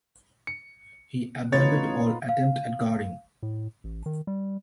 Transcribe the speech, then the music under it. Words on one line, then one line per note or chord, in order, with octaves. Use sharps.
He abandoned all attempt at guarding.
C#7
A1 B3 D#4 F4 C#5 A6
F5
A2
A1
D#3
G3